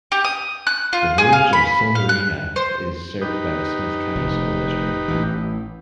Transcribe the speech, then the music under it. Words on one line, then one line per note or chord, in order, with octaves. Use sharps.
The Village of Sylvarena is served by the Smith County School District.
G4
D#6
F#6
F4
G#4
F5
B5
F5
F#6
C5
D#4 G4 B4
F1
A1 E3